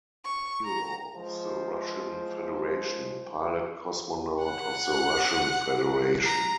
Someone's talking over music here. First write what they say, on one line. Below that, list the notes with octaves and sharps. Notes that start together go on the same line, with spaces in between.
Hero of the Russian Federation, Pilot-Cosmonaut of the Russian Federation.
C#6
A#5
F3 G#3 C5
F#5 F#6
A#5